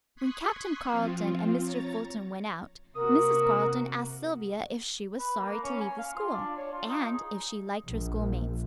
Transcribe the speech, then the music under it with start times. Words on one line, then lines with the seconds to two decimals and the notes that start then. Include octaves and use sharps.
When Captain Carleton and Mr. Fulton went out Mrs. Carleton asked Sylvia if she was sorry to leave the school, and if she liked her schoolmates.
0.16 C6 C#6 D#6 F#6 G#6 B6
0.90 F3 C4 F4
1.62 C#5 A#5 A6
2.96 C3 A#3 F#4 A#4 D#6
5.19 B4
5.39 A#3
5.63 C#4
5.80 G#5
5.99 F5
6.16 F4
6.34 D4
6.57 C#5
6.71 F4
6.88 D#4
7.13 G#4
7.86 A#1